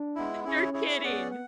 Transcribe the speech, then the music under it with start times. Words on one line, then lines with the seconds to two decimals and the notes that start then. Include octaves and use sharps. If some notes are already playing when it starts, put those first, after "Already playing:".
You're kidding.
Already playing: D4
0.15 G#3 B3 E4
0.44 C#4 E4 G#4 C#5
0.73 E4 G#4 C#5
1.02 B3 C#4 G#4 D5 F#5
1.31 F#5